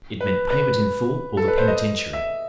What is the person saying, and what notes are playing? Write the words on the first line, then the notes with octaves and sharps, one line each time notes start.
It meant payment in full or the penitentiary.
B4
B4
A4
B4
C5
D#5
E5